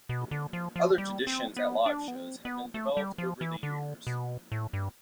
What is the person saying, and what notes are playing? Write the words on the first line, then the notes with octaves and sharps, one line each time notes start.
Other traditions at live shows have been developed over the years.
B2
D3
F3
F3
G3
C4
B3
D4
B3
C4
B3
A3
G3
F3
E3
D3
B2
A2
G2